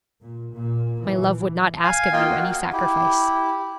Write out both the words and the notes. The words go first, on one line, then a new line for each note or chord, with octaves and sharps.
My love would not ask of you any sacrifice.
A#2
A#2
E3
F5 G#5
A#3 F4 D#5 F5 G5
F#4
E4 G4